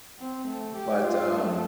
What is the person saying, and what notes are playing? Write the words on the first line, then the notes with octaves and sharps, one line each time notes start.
But, um,
C4
A3
G4
F4
A3